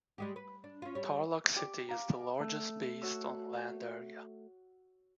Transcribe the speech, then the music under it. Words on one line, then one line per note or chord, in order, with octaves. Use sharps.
Tarlac City is the largest based on land area.
G3 G#3 G4
B4
D4
C#4 F4
G3 C#5
G4 D5
F5 A#5
D5
A3
F#4 C#5 E6